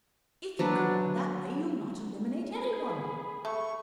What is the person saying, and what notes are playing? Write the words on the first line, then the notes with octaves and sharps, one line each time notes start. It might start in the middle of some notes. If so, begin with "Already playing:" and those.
"If you go on that way you'll not eliminate anyone."
F#3 D4 B4
G#4 B5
A3 C#6